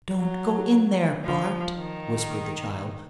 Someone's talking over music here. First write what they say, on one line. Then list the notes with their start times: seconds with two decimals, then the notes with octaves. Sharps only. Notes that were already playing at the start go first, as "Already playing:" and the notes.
"Don't go in there, Bart!" whispered the child.
0.16 F#3
1.24 F3
1.77 D#3